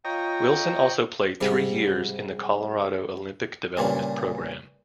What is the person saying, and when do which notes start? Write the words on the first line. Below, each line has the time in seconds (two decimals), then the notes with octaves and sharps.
Wilson also played three years in the Colorado Olympic Development Program.
0.05 F4 C#5 D#5 G5 A#5
1.41 G#2 C3 G3
3.77 G2 A#2 C#3